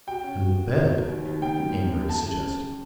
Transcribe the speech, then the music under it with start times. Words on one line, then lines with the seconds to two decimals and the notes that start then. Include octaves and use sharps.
"And the bed," Amory suggested.
0.07 F#4 G5
0.24 C#4
0.41 F#4
0.58 F#4
0.75 B3
0.91 F#3
1.08 D#2
1.25 D#2
1.42 D#3 G5
1.59 F#2
1.75 F#2
1.93 F#2
2.09 A3 A5
2.27 C#3
2.43 C#3